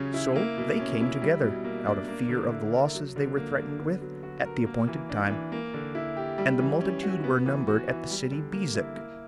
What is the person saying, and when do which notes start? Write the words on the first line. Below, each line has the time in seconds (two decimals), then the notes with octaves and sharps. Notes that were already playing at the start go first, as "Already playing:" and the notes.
So they came together, out of fear of the losses they were threatened with, at the appointed time. And the multitude were numbered at the city Bezek.
Already playing: C#3 F#3 C#4
0.14 E4
0.36 A#3
0.57 B2
0.80 C#4
1.01 E4
1.22 G3
1.44 B2
1.64 A#3
1.86 D4
2.08 A#3
2.29 D3
2.51 E4
2.72 A#4
2.95 F#3
3.16 D3
3.37 A#3
3.58 D3
3.80 B3
4.01 F#3
4.23 F#4
4.45 A#4
4.66 A#3
4.87 E3
5.09 D4
5.30 E3
5.52 A#3
5.74 D3
5.95 E4
6.17 G4
6.38 G3
6.60 E3
6.81 C#4
7.03 F#4
7.24 B3
7.46 E3
7.68 F#4
7.89 E3
8.10 G3
8.31 D3
8.53 A#3
8.75 E4
8.97 A#3